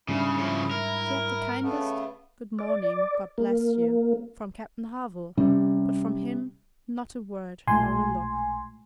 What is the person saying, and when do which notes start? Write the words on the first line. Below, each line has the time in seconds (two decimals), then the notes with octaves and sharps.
She had the kindest "Good morning, God bless you!" from Captain Harville, but from him not a word, nor a look!
0.08 G#2 C#3 G3 D4 E4
0.38 C#3 F3
0.71 A#4
1.63 C#3 A3 B3
2.59 D5
3.38 A#3
5.37 C3 G3 C#4
7.67 B1 A#2 G#3 A3 G#5 C6